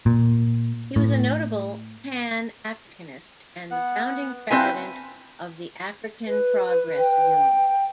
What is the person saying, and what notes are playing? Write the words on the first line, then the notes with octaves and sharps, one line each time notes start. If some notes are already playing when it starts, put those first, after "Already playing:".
He was a notable Pan-Africanist and the founding president of the African Progress Union.
A#2
A2
B3 F#5
C4 E4 F4 B4 C5 G#5
B4
G5